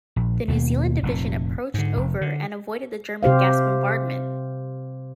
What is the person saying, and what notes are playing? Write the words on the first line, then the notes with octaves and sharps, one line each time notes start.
The New Zealand Division approached over and avoided the German gas bombardment.
A#1
D#2 B2 G#3 A#3
F1 A#2
G#2 D3
F1
D3
C3 G4 C5 F5